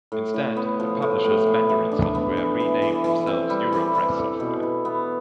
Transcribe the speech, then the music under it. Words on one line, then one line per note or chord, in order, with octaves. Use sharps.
Instead, the publishers Mandarin Software renamed themselves Europress Software.
A2
A2
B3
F3
A2
A2
E3
E3
D4
B3
E3
E3
E3
E3
C4
G3
E3
E3
A4
B2
E4
B3